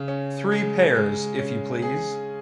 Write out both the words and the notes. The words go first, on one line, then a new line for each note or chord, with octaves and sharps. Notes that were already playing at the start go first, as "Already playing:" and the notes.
Three pairs, if you please.
Already playing: C#3
C#4
G#3
G#3
C#4
G#4